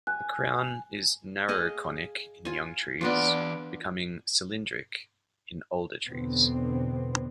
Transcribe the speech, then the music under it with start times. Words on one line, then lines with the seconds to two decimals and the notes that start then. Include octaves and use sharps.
The crown is narrow conic in young trees, becoming cylindric in older trees.
0.07 G#5 F#6
1.48 G#4 D#5 F5
2.45 F4 G#5
3.01 E3 B3 D4 F4 D5
6.08 E2 B2 D3 B3 C4